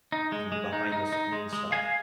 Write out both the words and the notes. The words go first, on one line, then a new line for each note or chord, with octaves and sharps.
the behind the screen stuff.
D#4
G#3
G#3
D#4
D#4
D#4
G#3
G#3
G#3 F5 G#5